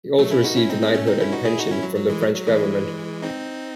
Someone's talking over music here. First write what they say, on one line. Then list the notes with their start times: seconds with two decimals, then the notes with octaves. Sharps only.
He also received a knighthood and pension from the French government.
0.18 F#3 A3
0.31 C#4 E4
0.44 D#4 F#4
0.56 C#4 E4
0.69 C4 D#4
0.82 G#3 C4
0.94 A3 C#4
1.07 C4 D#4
1.20 C#4 E4
1.33 D#4 F#4
1.45 E4 G#4
1.58 D#4 F#4
1.71 C#4 E4
1.83 F#3
1.96 F#3
2.09 E3 G#3
2.21 F#3
2.34 F#3
2.47 E3 G#3
3.22 C4 D#4